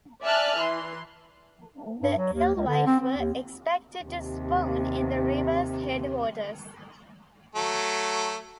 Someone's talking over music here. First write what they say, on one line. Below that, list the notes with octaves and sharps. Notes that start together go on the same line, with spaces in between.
The alewife were expected to spawn in the river's headwaters.
D5 E5 G#5 A5 F6 F#6
E3 C6
G2
F#3
D#2
C#2
D3
C4
C4
D#2
D#2 C3
F#3 A3